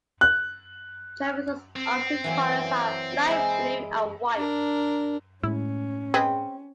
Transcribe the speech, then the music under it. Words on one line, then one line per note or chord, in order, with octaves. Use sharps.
Treviso's official colours are light blue and white.
F#6
C4
E3 F#3 A#3
G#3 E4
D4 A#4
A2 G#3 C#4 E4
C4 G#4 B4 D#5